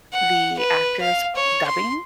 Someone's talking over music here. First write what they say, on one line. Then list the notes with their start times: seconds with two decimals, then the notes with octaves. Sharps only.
the actors dubbing,
0.13 F#5
0.58 B4
1.01 F5
1.35 C#5
1.67 C6